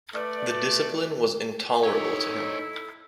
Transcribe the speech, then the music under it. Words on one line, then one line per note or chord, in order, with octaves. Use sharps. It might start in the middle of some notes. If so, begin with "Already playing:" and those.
The discipline was intolerable to him.
A3 A4 B4 D5
C4 D#4 E4 A4 C#5